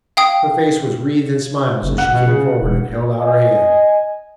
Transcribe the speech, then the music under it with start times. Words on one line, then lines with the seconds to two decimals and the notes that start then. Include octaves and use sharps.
Her face was wreathed in smiles as she came forward and held out her hand.
0.17 F5 G5 D#6
1.83 F#1
1.98 F#5
2.13 B2
2.27 C#3
2.62 E1
3.19 D#5 G#5